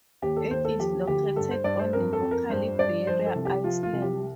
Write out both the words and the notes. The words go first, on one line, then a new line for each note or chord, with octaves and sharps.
It is located on the local barrier island.
D#2 G4
A4
D#2 C5
A4
F3 G4
D2 G4
G2 A4
C5
G2 D5
C5
F2 A#4
A4
F2
A#4
G2 C5
G2 D5
F3 C5
A4
C2
G4
F3 F4
F4
C2
G4